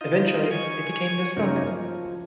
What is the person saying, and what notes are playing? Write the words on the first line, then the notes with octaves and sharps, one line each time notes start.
Eventually it became this book.
D#4 F4 D#5
G#5 C#6
G2 C#3 F#3 A#3 C#4 D#4
F3